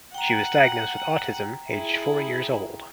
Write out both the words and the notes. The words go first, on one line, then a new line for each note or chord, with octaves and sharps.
She was diagnosed with autism aged four years old.
F#5 G5 A#5
E4 G#4